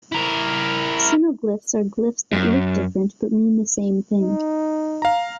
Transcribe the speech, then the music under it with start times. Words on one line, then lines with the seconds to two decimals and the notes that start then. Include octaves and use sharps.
Synoglyphs are glyphs that look different but mean the same thing.
0.12 E4 A#4
2.33 F#2
4.21 D#4
5.02 F5 A#5